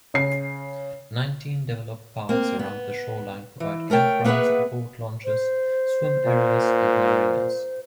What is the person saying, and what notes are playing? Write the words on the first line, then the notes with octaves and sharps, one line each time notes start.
Nineteen developed parks around the shoreline provide campgrounds, boat launches, swim areas, and marinas.
C#3 C7
A#3 C4
B3
E3
A3 A#4 C#5 G5
A#3 B3 G#4 B4 E5 F#5
C5
A#2